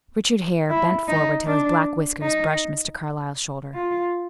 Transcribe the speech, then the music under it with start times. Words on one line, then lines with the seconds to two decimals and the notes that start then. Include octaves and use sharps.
Richard Hare bent forward till his black whiskers brushed Mr. Carlyle's shoulder.
0.70 E4
1.08 D#4
1.46 D4
2.22 D#4
3.74 F4